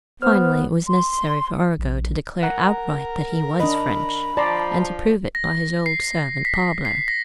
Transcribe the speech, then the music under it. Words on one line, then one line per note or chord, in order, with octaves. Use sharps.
Finally it was necessary for Arago to declare outright that he was French, and to prove it by his old servant Pablo.
B3 C5 F6
C6
A#1
A#4 F#5 A#5
D4 D#5 B5
F3 D5 A5 A#5 C6
A#6
C7
B6
C7
A#6